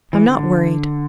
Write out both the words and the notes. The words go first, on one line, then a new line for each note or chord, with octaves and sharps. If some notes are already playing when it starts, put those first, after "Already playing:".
"I'm not worried."
E3
D3